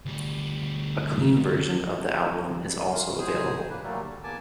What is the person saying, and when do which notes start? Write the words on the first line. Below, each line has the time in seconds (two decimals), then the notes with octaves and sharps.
A clean version of the album is also available.
0.06 D2 G3
2.92 F5 C6
3.19 F#2 B2 G#4 C5 G#5 D#6
3.69 A#3 D4 B4
3.83 A#2 D3 F#3 G3 A3 A#3
4.03 D3
4.23 E2 A#3 B3 G#5 A5 D6